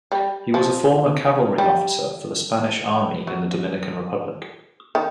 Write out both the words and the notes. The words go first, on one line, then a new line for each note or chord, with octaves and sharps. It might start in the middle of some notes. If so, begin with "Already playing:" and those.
He was a former cavalry officer for the Spanish Army in the Dominican Republic.
G3
F3
G3
F#3
D#3